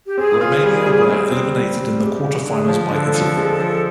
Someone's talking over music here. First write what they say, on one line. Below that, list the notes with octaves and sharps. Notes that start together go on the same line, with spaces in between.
Romania were eliminated in the quarter-finals by Italy.
G4
C4 G#4
F4
G3
G3
C4
C4
G3
G3
G#3 G4
G#3
D3 G#4
F3
D3 A4
F3
G#3
F3